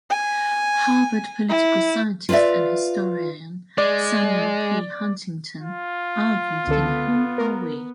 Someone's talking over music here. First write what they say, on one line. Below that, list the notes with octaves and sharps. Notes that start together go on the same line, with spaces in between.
Harvard political scientist and historian Samuel P. Huntington argued in Who Are We?
G#5
E4
F4 B4 C#5 D5 E5
G#3 D5
F4
C#2 D3 B3 A4
A#4